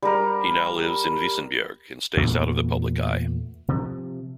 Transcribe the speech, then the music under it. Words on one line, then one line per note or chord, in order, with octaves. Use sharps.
He now lives in Vissenbjerg, and stays out of the public eye.
G3 A#4
E2 A#2 A3 B3
C3 F3